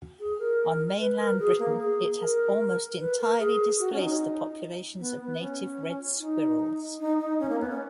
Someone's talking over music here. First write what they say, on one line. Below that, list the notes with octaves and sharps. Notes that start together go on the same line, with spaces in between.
On mainland Britain, it has almost entirely displaced the populations of native red squirrels.
G#4
A#4
B4
A#4
G#4
A#3
G#4
A#4
B4
A#4
G#4
F#4
C#4
D#4
B3
B3
C#4
D#4
D#4
D#4
C#4
A#3
B3
C#4